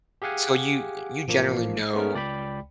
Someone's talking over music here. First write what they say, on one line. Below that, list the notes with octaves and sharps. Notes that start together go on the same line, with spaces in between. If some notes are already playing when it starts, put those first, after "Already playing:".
So, you y you generally know
G4 G#4 F5 F#5 G#5
A1 F3 A#3
A3 B3 C#4 A#4
C#2 D5 G5 B5